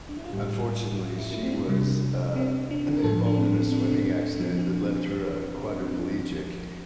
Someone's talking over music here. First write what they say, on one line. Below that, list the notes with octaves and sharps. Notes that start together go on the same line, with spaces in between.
unfortunately, she was, uh, involved in a swimming accident that left her a quadriplegic,
D4
E4
F4
A2 G3 G4
E4
F4
E4
E4
C4
D4
C3 G3
C4
D4
A#4
A2 F3 A4
D4
C4
C4
D4
C4
D4
D4
A#2 F3 C4
D4